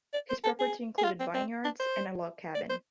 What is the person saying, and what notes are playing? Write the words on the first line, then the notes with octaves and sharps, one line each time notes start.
His property included vineyards and a log cabin.
D5
C5
A4
G#4
G#4
F4
C4
C4
D4
C5
D5
C5